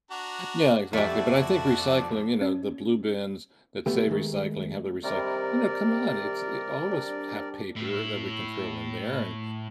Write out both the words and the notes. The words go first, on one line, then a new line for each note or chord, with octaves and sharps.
Yeah, exactly, but, I think recycling you know, the blue bins that say recycling, have the recy you know, come on, it's i all of us have paper that we can throw in there and
D4 F#4 A#5
F2 A3 E4 F#4 G4 A4 D5
C#4
D3 A3 B3 G4
D#3 G#3 A3
C3 D#3 G3 A#4 D5
D4
A2 E4